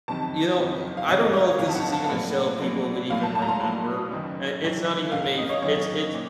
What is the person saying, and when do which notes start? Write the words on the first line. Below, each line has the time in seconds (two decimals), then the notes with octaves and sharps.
you know, eh I don't know if this is even a show people would even remember, and it's not even made f it's it's
0.08 F#1 F2 C3 D#3 A5
0.58 F#1 F2 C3 D#3
0.97 F5
1.08 F#1 F2 C3 D#3 D#5
1.33 C#5
1.58 F#1 F2 C3 D#3 F5
1.69 A5
1.75 F#5
1.92 A5
2.04 F5
2.09 A#1 A2 F#3 A#3 F#5
2.60 A#1 A2 F#3 A#3
3.10 A#1 A2 F#3 A#3 F5
3.23 A5
3.35 A5
3.42 A#5
3.48 C6
3.60 A#1 A2 F#3 A#3 C6
4.11 F#1 F#2 D#3
4.61 F#1 F#2 D#3
5.11 F#1 F#2 D#3 F5
5.24 F5
5.38 D#5
5.49 C#5
5.62 F#1 F#2 D#3 C#5
6.14 A#2